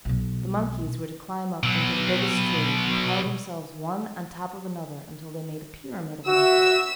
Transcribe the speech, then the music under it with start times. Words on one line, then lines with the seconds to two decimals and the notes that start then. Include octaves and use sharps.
The monkeys were to climb up into the biggest tree and pile themselves one on top of another until they made a pyramid of monkeys.
0.05 B1 B2
1.64 B2 F#3
6.28 F#4 E5 E6